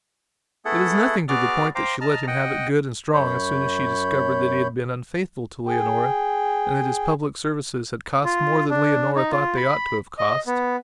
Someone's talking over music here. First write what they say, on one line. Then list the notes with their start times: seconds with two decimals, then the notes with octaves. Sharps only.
It is nothing to the point that she let him have it good and strong as soon as she discovered that he had been unfaithful to Leonora and that his public services had cost more than Leonora thought they ought to have cost.
0.65 A3 B3 E4 G#4 A4 F#5
1.28 B3 F#4 G#4 D5 D6 F6
1.75 C5 F5 G5 A#5 D6
2.01 D#5 A5 A#5 F6
2.27 D#5 F#5 G5
3.14 F#2 C#5 B5 G6
5.66 G#4 G5
8.24 F4
8.70 D4
9.16 D#4
9.31 F4
9.57 B5
10.18 D#5
10.47 B3